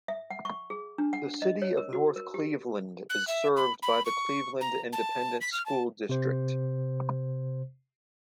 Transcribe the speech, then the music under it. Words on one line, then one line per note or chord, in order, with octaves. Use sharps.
The City of North Cleveland is served by the Cleveland Independent School District.
E5
F#5
C#6
G#4
D4
F#5
D#5
C#5
A#4
F#4
A#4
G4
F#6
E5
B5
B5
C#6
A#5
A5
B6
F6
A5
C3 C5